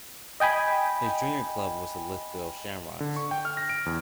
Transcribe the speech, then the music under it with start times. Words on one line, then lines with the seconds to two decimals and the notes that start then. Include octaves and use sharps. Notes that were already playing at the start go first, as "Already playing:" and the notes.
His junior club was the Lithgow Shamrocks.
0.40 D#5 G5 G#5 B5
3.00 D3
3.16 C#6
3.31 G5
3.45 F6
3.57 A#6
3.69 D7
3.86 E2